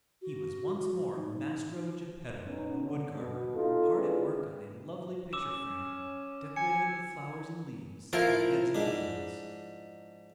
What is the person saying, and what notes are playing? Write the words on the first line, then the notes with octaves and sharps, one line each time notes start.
He was once more Mastro Geppetto, the wood carver, hard at work on a lovely picture frame, decorating it with flowers and leaves, and heads of animals.
F#4
F#4
D#4
B3 C#4 D#4
D3
B2
C3 D#4 F4 A4
C4 D4 E4 F4 G#4 B4
C#4 D6 E6 E7
G#5 C#7
F3 E4 A#4 F5 G5
G#2 D4